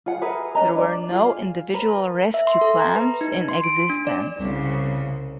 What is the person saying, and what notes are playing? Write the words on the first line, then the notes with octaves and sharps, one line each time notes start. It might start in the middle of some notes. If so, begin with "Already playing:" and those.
There were no individual rescue plans in existence.
F4 G#4 F#5
G#4 A#4 B4 E5
C#4 B4 D#5 A#5
D4 D5
F4 G#4 F5
A#4 B4
E5
C6
A4
A#5
B4
D#4
C6
D7
D4
D5
C2 C#3